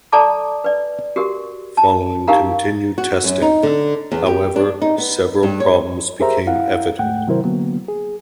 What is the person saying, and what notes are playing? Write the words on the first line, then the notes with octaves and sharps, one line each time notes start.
Following continued testing, however, several problems became evident.
A4 D5 A5 A#5 D6
B4 D5
F#4 G4 A#4
A5
D#4 G4 A#4 F5 A#5
F#4
F#2
D#4
D3
E2
G4
D4
D#4
B3
G2
C#5
G4 G#4 A#4 C5 E5 A#5
E4 F5 F#5
D2 G#2 A3 F#5 G5
C3 D#3 F#3 E4 A#4 C5
D3 F#3 A#3 B3
G#4